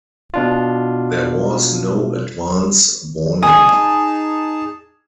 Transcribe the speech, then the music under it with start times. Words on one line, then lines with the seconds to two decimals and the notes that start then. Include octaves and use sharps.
There was no advance warning.
0.34 B2 D4 F4
3.43 D#4 G#4 G#5 A5 D#6